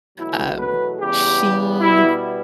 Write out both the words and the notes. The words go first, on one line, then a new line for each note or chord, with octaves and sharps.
Um, she
E2 B2 F#3 A3 E4
B4
E2 C#3 G3 B3 G4
B2 G3 B3 E4